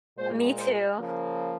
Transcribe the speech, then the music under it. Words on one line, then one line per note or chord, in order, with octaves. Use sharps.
Me too.
A#2 G#3 C5
C5
C#3 F3 A#3